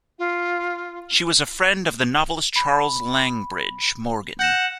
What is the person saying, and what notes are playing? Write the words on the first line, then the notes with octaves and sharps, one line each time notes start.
She was a friend of the novelist Charles Langbridge Morgan.
F4
B5
F#5 G6 A#6 E7